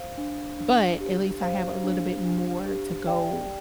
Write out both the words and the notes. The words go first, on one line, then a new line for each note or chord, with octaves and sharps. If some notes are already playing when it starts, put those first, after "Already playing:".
But at least I have a little bit more to go
Already playing: C5 F5
D4
D4
G4
C5 F5
D4
D4
G4
D5 G5